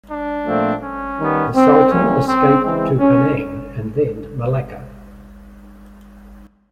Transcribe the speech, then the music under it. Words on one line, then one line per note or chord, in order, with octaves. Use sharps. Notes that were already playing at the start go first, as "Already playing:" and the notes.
The Sultan escaped to Penang and then Malacca.
D4
A#2 F3 A3 C4
C#4
D#3 G3 B3
C4
E3 G3 A#3 C#4
C4
E3 G#3 C4
C#4